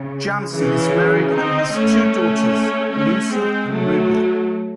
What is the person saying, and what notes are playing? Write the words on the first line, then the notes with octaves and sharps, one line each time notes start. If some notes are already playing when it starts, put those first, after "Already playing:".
Jansen is married and has two daughters, Lucy and Ruby.
Already playing: C#3
C#3 E3
C4 D#4
A3 C#4
A3 C#4
A3 C#4
G#3 C4
F#3 A3